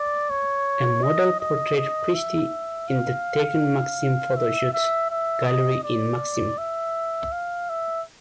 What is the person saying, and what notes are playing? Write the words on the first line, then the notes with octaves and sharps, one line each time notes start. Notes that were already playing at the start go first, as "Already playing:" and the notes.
A model portrayed Christie in the "Tekken Maxim Photoshoot" gallery in "Maxim".
Already playing: D5
C#5
D#5
D#5
D#5
E5
F5
E5
E5
E5
D#5
D5
E5
F5
E5